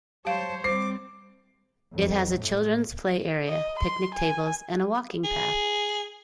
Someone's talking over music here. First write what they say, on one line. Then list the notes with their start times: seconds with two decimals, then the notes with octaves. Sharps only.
It has a Childrens Play Area, Picnic Tables, and a Walking Path.
0.25 F#3 G4 C5 C#5 F5 A5
0.64 G3 C4 C5 D6 C7
1.94 F2
2.36 A2
3.48 D#5
3.79 C6
4.15 G#5
5.24 G#4